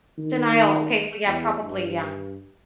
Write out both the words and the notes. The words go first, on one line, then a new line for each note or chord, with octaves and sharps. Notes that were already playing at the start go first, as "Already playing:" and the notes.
Denial. Okay, so, yeah, probably, yeah.
D#3
E2
G2